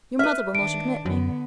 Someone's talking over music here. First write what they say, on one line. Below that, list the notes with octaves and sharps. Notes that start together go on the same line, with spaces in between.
"Your mother will not admit me."
B4 E5 F6
D#3 D4 D7
F#2 D3 B3